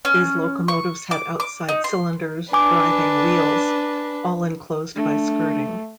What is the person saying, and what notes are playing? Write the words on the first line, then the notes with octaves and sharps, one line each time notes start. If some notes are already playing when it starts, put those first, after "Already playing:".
These locomotives had outside cylinders driving wheels; all enclosed by skirting.
C#4
C#6
D6
D6
D#4
C6
D4 B4 G#5 D6
A3 D4